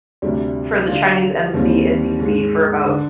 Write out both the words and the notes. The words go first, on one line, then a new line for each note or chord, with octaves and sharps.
for the Chinese embassy in DC for about
D2 C3 G3 D4
D3 G3 D4 F4
D#2 D#3 G3 C4
G#2 D#3 G#3
D3